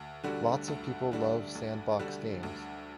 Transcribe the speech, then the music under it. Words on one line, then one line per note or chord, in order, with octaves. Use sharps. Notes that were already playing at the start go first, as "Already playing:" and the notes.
Lots of people love sandbox games.
Already playing: D2
D3 G3 D4 F#4
D2
D3 G3 D4 F#4
D2
D3 G3 D4 F#4
D2